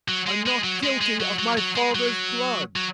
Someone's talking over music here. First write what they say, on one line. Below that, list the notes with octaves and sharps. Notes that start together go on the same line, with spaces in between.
I'm not guilty of my father's blood....
F#3
G#3
G#3
F#3
G#3
G#3
F#3
F#3
F#3
G#3
F#3
F#3